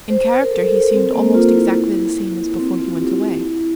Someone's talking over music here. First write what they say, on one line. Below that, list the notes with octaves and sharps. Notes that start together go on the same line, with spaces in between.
In character he seemed almost exactly the same as before he went away.
C5
C5
A#4
A4
C4
A#3
F4
E4
C4
F4
G4
E4
E4